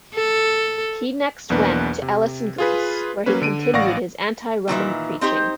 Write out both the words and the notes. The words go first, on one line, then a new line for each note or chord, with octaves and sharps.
He next went to Elis in Greece, where he continued his anti-Roman preaching.
A4
B1 E2 A#3 D4 B4
C3
F4 G#4 B4
F#3 A#3 C#4 B4
D3 D7 D#7
A1 D5 F5 F#5 C#6 A#6
A#2 D#3 E3 E5
C4 D#4 G4 C5